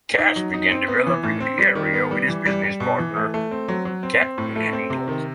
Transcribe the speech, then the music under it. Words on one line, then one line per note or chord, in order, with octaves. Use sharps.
Cass began developing the area with his business partner, Captain Ingals.
D#4
F#3
D#4
C4
B3
E3
A2
C4
G3
D#3
B3
G3
E3
G3
G3
B2
E3
A3
A3
C4
F#3
F#3
C4
C4
A2
A3
C4
C3
D#3